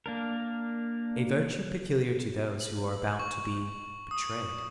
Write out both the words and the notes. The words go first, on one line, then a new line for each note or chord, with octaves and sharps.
A virtue peculiar to those who are about to be betrayed.
A#3 D4 A#4
F#7
C#6
D#6